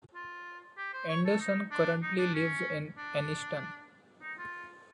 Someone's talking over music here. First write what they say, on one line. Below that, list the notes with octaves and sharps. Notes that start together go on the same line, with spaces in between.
Anderson currently lives in Anniston.
F4
G4
C5
C#5
A4
D#4
D4
D#4
D4
C#4
D4
D#4
F4